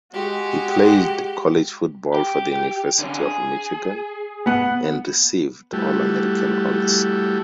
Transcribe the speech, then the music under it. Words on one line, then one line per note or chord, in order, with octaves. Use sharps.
He played college football for the University of Michigan, and received All-American honors.
G#3 F#4 G4
G4
D3 C#4
G#4
B3 F#5
G3 A3 E4 F#4 G4